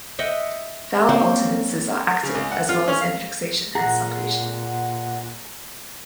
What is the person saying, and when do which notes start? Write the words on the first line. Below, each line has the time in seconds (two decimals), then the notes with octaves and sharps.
Vowel alternances are active, as well as infixation and suppletion.
0.19 D#5 E5 F#5 G5
1.09 A#3 C4 C#4
2.23 C#3
2.35 C#2
2.52 F#5
2.69 F4
2.88 C#4
3.01 F5
3.75 A#2 G#4 F#5 A#5